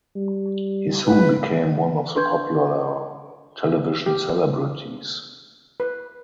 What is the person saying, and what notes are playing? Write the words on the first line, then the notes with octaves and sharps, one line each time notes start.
He soon became one of the popular television celebrities.
G3
G#3 B4
D4 B4 C6 C#6 G6 G#6
G4
B4